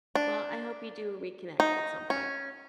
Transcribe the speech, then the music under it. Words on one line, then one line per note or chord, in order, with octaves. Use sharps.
Well, I hope you do reconnect at some point,
D4
D#4
C#4